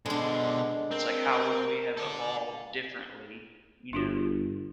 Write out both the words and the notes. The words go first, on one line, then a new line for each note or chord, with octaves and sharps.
It's like, how would we have evolved differently, you know,
B2 D3 G#3 D4 C5
C4 A#4
A4 D5
G1 D4 F4 F#4